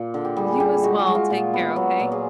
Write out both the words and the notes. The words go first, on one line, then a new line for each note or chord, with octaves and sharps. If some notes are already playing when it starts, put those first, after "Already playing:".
You as well. Take care, okay?
Already playing: A#2
D3
G4
G3 G#4
G3 G4
G#3 F#4
F#4
G#3
F4
A#2 F4
B3
F#3
A#2
G#4